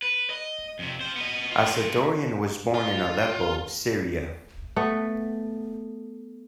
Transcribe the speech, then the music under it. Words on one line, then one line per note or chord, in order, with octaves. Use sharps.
Assadourian was born in Aleppo, Syria.
B4
D#5
F2 C3
F4 C5
B3 D#5
A3 F4
F4
A3 B3